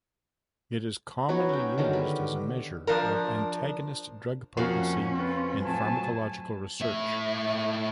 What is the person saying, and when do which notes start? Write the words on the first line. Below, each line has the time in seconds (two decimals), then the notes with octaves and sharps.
It is commonly used as a measure of antagonist drug potency in pharmacological research.
1.29 F#3 B3 D#4 C#5
1.49 C#4 G5
1.78 D3 D#3 F#3 G#3
1.93 B3 G4
2.87 F3 D4 A#4
4.57 F2 F3 A#3 C#4 F#4 F5
5.15 C4 F4 B4
5.64 A2 F#3 G#5 A5
6.81 A2 E5